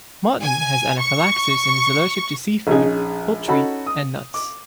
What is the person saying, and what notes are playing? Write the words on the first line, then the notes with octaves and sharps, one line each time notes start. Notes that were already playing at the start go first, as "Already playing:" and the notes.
Martin has anaphylaxis and is allergic to seafood, poultry, and nuts.
G#5
C#6
A#1 C#4 D#4 G#4
C#4 D#4 F#4 A4 B5
D#6
D6